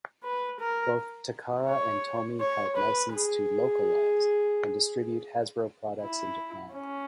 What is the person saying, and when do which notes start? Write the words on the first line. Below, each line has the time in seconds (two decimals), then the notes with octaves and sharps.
Both Takara and Tomy held licenses to "localise" and distribute Hasbro products in Japan.
0.24 B4
0.60 A#4
1.68 C#5
2.40 C#5
2.77 B4
3.13 G#4
6.01 E4
6.73 C#4